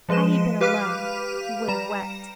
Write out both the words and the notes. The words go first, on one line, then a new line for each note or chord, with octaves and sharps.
Had he been alone, he would have wept.
F3 G#3 B4 D#5 E7
G4 B4 F5 D6 F6 D#7
G3 A#5 E7